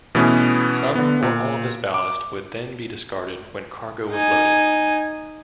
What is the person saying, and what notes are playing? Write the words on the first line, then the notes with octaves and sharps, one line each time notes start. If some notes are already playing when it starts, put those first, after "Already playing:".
Some or all of this ballast would then be discarded when cargo was loaded.
B2 E3 A3 B3 C#4
D3 B3
A#2
D6
D#4 G#5